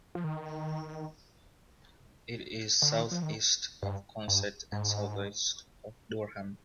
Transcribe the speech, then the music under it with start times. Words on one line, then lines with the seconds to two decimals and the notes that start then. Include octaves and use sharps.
It is southeast of Consett and southwest of Durham.
0.15 F3
0.24 D#3
2.82 D3
2.92 D#3
3.11 F3
3.23 D#3
3.83 G2
4.28 G2
4.72 G#2